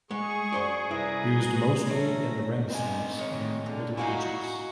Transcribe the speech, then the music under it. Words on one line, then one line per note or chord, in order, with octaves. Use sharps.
Used mostly in the Renaissance and Middle Ages.
G#3 G#4 F#5 C#6
F#2 C5 D5
C2 E4 B4 D5 A#5
A3 C#4 A#5
C4 D#5 G#5
D#3 G#3 C#5
A#2 D3
D#4 E4 F#4 D#5 F5 G#5